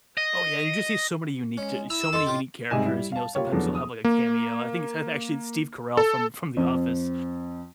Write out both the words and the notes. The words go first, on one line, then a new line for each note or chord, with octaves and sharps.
Oh, yeah, you just see so many unique t so many unique characters, you know, sometimes you'll have like a cameo. I think it's actually Steve Carell from from the Office.
D#5
G#3 C#4
E4 A#5 E6
F2 A4 D#5 C6
A2 F4 G4
G#2 C3 G3 D#5 G#5 E7
G3 E4
F5 A5
A#3 F4 G4 C#5
E2 D3 F3 F#3 A3 B3
D#6
A#3
A4
F2